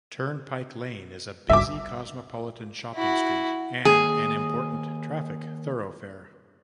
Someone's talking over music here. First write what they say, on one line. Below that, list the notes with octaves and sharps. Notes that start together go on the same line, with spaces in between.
Turnpike Lane is a busy cosmopolitan shopping street and an important traffic thoroughfare.
G1 C#2 G2 E5 D6
E4 F#4
D#3 A#3 G#4